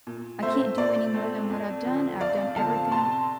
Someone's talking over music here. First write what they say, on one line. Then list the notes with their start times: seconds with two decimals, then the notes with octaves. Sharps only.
I can't do any more than what I've done. I've done everything,
0.07 A#2
0.43 A3 C4 C5 E5
0.78 A#2 D5
1.14 A3 C4
1.50 F2
1.85 D3 F3 C4
2.20 F2 D5 F5
2.56 D3 F3 C4 F5 A5
2.92 C3 A5 C6